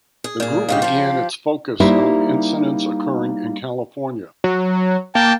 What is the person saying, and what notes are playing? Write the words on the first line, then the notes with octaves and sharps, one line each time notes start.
The group began its focus on incidents occurring in California.
G#4
A#2 G#4
G#2 C#3 G4 F5
F3 G4
G3 A#3 D#4 E4 G4 C5
F#3
A#3 G5 A5